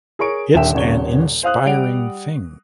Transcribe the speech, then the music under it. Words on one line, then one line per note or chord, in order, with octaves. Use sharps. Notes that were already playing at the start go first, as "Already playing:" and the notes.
It’s an inspiring thing!
G#4 A#4 C#5 C#6 D7
D#1 D#2 D3 E5 G5 E7
D#1 G#1 C#3 C#5 G7
C5 F5 D#6 F#6
G3 F#5 D7 F7